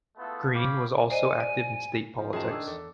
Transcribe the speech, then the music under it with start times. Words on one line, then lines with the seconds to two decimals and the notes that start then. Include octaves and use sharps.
Green was also active in state politics.
0.18 G#3 A3 B3 E4 F4 A4
0.54 C#5 F5 G5 B5 D6
1.10 C5 D5 D#5 G#5
1.40 D5
2.18 F3
2.33 F#2 D#3 F3 F4 F#4 G#4 E5 A5
2.51 D4 D6 E6 G#6
2.68 E2 A4 D6